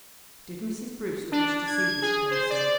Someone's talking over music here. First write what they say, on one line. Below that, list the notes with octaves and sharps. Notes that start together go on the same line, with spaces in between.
"Did Mrs. Brewster wish to see this person?"
D4
G#6
G#4
C5
D5